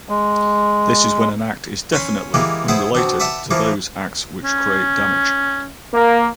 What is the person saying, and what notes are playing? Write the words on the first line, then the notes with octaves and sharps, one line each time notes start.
This is when an act is definitely unrelated to those acts which create damage.
G#3
C#4 G#5 B5 C6
E3 G#3 A#3 G4
B3 E4 G#4 B4 C5
B2 C4 D4
B4 D5 E5 F#5 A5
E3 F3 A#3 F4
C#4
A#3